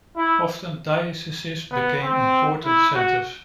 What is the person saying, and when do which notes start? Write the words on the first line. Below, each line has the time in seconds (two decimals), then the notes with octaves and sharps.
Often dioceses became important centres.
0.16 E4
1.70 B3
2.02 C4
2.64 E4
2.95 F#4